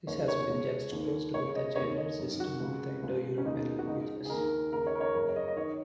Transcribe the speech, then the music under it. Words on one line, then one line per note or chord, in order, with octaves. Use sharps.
This has been juxtaposed with the gender system of the Indo-European languages.
D#2 C#3 C#5
C#5
C#2 C#3
D#2 D#3
C#2 C#3 C#5
D#5
D#2 D#3 C#5
D#5
F#2 D#3
F#4
C#2 C#3
C#2 C#3
C#4
D#2 C#3 D#4
F#4
C#2 C#3 D#4
G#4
D#2 D#3 A#4
D#2 C#3 A#4
C#5
A#4
C#5
F#2 C#3 A#4
C#5
D#5
D#5
D#3 C#5